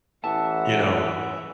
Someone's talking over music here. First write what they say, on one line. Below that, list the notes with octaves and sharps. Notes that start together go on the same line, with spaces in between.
You know
A1 E3 E5 F#5 A5